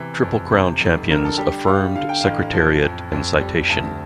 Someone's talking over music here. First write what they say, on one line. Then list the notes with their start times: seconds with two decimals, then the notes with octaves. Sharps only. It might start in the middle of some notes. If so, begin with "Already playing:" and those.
Triple Crown champions, Affirmed, Secretariat, and Citation.
Already playing: C3 E3
0.23 F2
0.51 C3
0.80 F1
1.09 D3 A#4
1.25 A4
1.38 G3 G4
1.67 G3 F5
1.95 D3 F5
2.09 G5
2.21 A1 F5
2.53 F3
2.83 F2
3.12 F2
3.40 G3
3.69 D2 A5